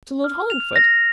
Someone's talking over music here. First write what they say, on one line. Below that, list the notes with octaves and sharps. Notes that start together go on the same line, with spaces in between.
To Lord Hollingford?
F6
F7
A#6